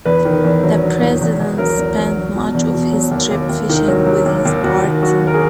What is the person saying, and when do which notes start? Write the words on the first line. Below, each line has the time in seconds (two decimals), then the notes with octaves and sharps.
The president spent much of his trip fishing with his party.
0.05 E2 B4
0.25 D#3
0.44 E2
0.63 F#3
0.83 F#3
1.01 E2
1.21 E2
1.40 E2
1.58 F#3 A#4
1.77 E2
1.98 F#3
2.16 F#3
2.35 B2
2.55 E2
2.74 B2
2.92 F#3
3.11 D#2
3.31 D#2
3.49 D#2
3.69 D#3
3.88 F#3
4.06 F#3
4.26 D#2
4.45 D#2
4.64 D#2 F#4
4.83 D#3
5.02 F#3 F#4
5.22 D#2 A#4
5.34 G#4